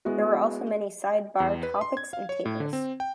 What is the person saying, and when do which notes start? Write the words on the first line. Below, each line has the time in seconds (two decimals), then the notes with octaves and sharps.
There were also many sidebar topics and tables.
0.05 G#3 B3 E4 F#4
1.40 E2
1.63 B4
1.81 C6
1.97 G#6
2.13 F5
2.29 C#5
2.45 A2
2.60 D3
2.73 C4
3.00 G5